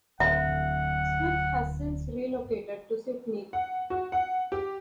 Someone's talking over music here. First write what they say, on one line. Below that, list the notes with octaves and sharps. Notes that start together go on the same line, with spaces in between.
Smith has since relocated to Sydney.
D1 E5 F#5
F#5
F#4
F#5
G4